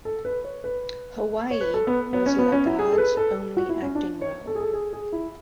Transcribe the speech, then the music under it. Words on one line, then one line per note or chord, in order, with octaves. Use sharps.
"Hawaii" was LaGarde's only acting role.
A4
B4
C#5
B4
C#5
B4
A4
B3
B3
C#4
B3
C#4
E4
G#4
A4
B4
A4
F#4
E4
C#4
D4
C#5
A4
G#4
A4
G#4
G#4
E4